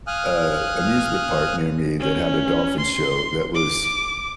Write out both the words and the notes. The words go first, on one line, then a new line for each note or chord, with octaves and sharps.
uh, amusement park near me that had a dolphin show that was,
F5 G#5 D#6 F6 F#6
C#4
C6
D6